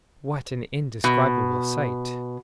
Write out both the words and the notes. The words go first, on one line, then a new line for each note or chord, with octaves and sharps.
What an indescribable sight!
B2